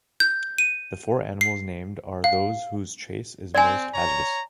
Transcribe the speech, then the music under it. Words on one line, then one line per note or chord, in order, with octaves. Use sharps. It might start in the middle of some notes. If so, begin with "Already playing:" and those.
The four animals named are those whose chase is most hazardous.
G6
D#7
C7
F5
C4 D5 G#5
C#5 A#5